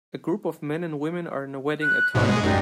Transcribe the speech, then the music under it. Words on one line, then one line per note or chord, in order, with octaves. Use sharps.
A group of men and women are in wedding attire.
F#6
A1 G#2 B2
G#3 D#6
F#2 D#4 G4 D5